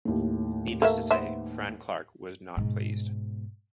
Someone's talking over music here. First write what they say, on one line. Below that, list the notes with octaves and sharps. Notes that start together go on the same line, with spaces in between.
Needless, to say, Fran Clark was not pleased.
D#2 A2
A3 A#3 E5
B3 C5 E5
G#2 B2